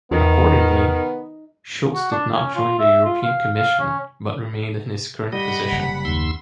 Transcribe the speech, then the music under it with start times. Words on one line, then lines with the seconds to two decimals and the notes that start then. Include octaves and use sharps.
Accordingly, Schulz did not join the European Commission but remained in his current position.
0.11 E2 D#3 B3
1.94 F#4
2.11 D4
2.34 C#4
2.55 F4
2.79 E5
3.05 F4
3.23 F5
3.56 F5
3.79 C#4
5.32 G3 D#5 F#5 B5
5.72 F#1
6.05 D#2 C6 E6